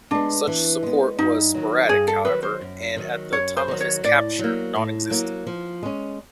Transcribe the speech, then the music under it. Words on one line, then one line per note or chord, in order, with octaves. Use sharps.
Such support was sporadic, however, and, at the time of his capture, non-existent.
G#3 B3 D4
E3
G#3 B3
G2 D#4
D#3 F#3
G2 G#4
A4
D#3 F#3 B4
C5
F#2
D#3 F#3
F#2 C#5
C5
D#3 F#3
C#5
A2 D5
F#3 A#3
A2
F#3 A#3
F3
G#3 C#4